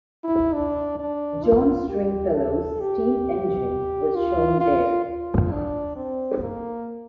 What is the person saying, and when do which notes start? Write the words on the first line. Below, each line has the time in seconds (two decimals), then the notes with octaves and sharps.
John Stringfellow's steam engine was shown there.
0.24 E4
0.54 D4
0.99 D4
1.44 F4
1.89 G4
2.34 A4
2.80 G4
4.16 F4
4.60 F4
5.06 F4
5.52 D4
5.96 C4
6.41 A#3